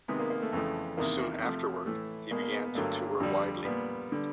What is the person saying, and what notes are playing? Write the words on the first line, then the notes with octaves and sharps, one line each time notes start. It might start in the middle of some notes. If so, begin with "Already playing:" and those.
Soon afterward, he began to tour widely.
C3 D#3 G#3 B3
A#3
A#3
A3
F2 C#3 E3 A3
E2 C3 D#3 A#3
C3 F3 A3
A2 E3 A3
B2 G#3 A#3
A#3
B3
B3
G2 D3 F#3 A3 A#3
F2 D3 G3
A#2 G3 B3
D3 G3